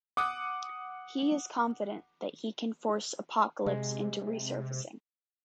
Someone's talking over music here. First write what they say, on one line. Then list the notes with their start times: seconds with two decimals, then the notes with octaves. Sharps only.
He is confident that he can force Apocalypse into resurfacing.
0.17 F#5 D6 D#6 F#6
3.66 C3 G#3